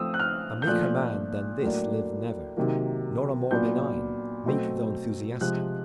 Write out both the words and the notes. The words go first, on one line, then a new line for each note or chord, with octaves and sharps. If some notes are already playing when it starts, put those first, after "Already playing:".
A meeker man Than this lived never, nor a more benign, Meek though enthusiastic.
Already playing: F3 A3 C4 D#6 E6
F#6
F6
G6
A#2 F3 A3 D4 F#6
A2 F#3 A#3 D4
C3 D#3 F#3 A#3
A#2 F#3 B3 D4 G6
B2 F#3 A3 C4
C3 F3 G#3 F#6